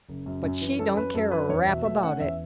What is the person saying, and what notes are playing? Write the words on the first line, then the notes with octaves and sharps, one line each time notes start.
But she don't care a rap about it.
F#1
F#2
F#2
E3
C#4 A4
F#2 B4
F#2 A4
C#4 B4
E2 C#5
B2 E5
A3 E5
C#4 F#5
E2 E5